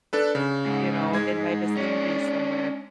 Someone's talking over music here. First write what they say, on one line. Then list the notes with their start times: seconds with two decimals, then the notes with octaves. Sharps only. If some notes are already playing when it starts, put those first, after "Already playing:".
you know, in my vicinity somewhere,
0.13 D4 A4 B4
0.35 C#3
0.66 G#2
1.13 G#3 G#6
1.77 C#4 D4